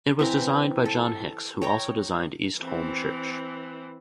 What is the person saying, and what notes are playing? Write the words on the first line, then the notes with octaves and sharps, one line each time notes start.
It was designed by John Hicks, who also designed East Holme church.
E3 C4 A#5
A4
C#5 G5 A#5
E3 C4